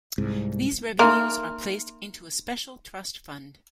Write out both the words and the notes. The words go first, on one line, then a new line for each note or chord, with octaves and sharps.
These revenues are placed into a special trust fund.
C2 G#2
A#3 D#4 E5 A#5 C6 F6